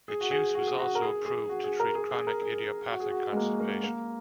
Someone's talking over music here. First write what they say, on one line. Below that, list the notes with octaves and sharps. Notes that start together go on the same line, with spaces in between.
Its use was also approved to treat chronic idiopathic constipation.
G#4
F#4
G#4
F#4
G#4
F#4
A#4
G#4
G#4
F#4
G#4
A#4
G#4
G#4
A#4
G#4
F#4
G#4
F#4
G#3
A#3
A#3
A#3